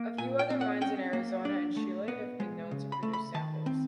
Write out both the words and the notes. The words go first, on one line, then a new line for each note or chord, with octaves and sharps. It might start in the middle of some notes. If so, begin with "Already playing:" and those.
A few other mines in Arizona and Chile have been known to produce samples.
Already playing: A#3
A#2 G#5
G5
C4
F#5
C#4 G5
A#3
D4
A3
B3
G#3
C#3
B5
A3
B5
D#3 A5
C4